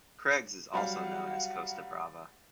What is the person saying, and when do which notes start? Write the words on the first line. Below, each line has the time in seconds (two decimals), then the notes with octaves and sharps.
Creggs is also known as Costa Brava.
0.73 F#3 G3 F5 F#5